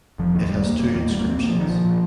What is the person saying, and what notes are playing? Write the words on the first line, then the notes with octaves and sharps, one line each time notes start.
It has two inscriptions.
F1 F3
D#2 D#3
F1 G3
D#2 A#3
F1 A#3
D#2 A#3
F1 G3
A#3
D#2
C4
A#1 A#3
F3
A#2
D#3
A#1 F3
A#2